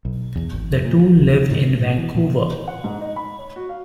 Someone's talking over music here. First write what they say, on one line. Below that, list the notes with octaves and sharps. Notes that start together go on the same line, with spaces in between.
The two live in Vancouver.
B1
E2
G#1
F2
A#2
F#3
D#1
D#3
G#2
A2
E3
A#2
F#5
G#2
D#4
B5
C#5
F#4
F5